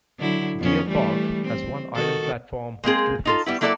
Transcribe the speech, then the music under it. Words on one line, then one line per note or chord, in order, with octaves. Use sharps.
Deer Park has one island platform with two faces.
D3 F#3 E4
F2 B3 C#4
E3 G3 A3
C4
D#3 F#4 A4
G#3 A#3 C4 G#4
D#4 F4 A4
G3 B3 E4
F#3 A#3 E4 A4 C#5 D5